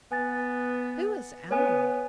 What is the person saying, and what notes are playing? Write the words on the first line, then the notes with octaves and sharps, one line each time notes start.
"Who is Emily?"
B3 G#5 A6
B3 C#5 G#5